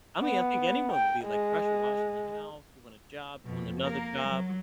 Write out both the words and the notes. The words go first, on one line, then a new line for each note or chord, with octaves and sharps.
I mean I think anyone will be like, pressure washing the house, doing a job, doing another job.
B3
G5
G#3
F2 B2
A#3 A#4
F#3